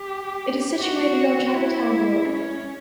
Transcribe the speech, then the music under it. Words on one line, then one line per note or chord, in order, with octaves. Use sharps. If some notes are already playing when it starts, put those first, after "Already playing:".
It is situated on Chapeltown Road.
Already playing: G4
F#4
E4
C#4